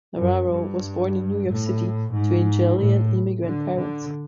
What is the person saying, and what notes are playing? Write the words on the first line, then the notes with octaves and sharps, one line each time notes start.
Navarro was born in New York City to Italian immigrant parents.
F#2
G2
A2
G#2
A2
D3
D3